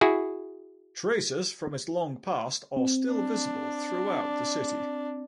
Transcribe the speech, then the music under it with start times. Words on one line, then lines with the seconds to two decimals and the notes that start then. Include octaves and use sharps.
Traces from its long past are still visible throughout the city.
0.01 E4 F#4 G#4
2.77 C4
3.12 D4